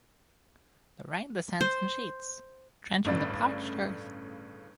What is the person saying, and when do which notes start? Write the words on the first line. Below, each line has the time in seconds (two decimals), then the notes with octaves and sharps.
The rain descends in sheets, drenching the parched earth.
1.61 C5
3.05 G1 A2 C#3 D5 B5